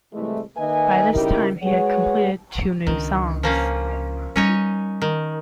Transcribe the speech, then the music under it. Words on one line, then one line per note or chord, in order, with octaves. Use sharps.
By this time he had completed two new songs.
C2 A2 E3 G#3 A3
D#3 A#3 B4 D#5 E5 G#5
C#3 G3 D#4 E4 G4 A#4
G#3 F#4 G#4 B4 C#5 F#5
C#2 D#3 D4
F3 A#3 C#4
G3 C#4 D#4 C#5
D#3